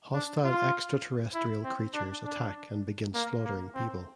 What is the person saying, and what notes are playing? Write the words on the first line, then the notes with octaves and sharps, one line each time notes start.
Hostile extraterrestrial creatures attack and begin slaughtering people.
D4
F4
E4
C4
D4
D4
A#3
A#3
C4